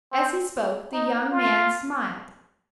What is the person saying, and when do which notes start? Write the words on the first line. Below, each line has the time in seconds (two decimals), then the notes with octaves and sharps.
As he spoke the young man smiled.
0.12 C4
0.93 D#4
1.32 F4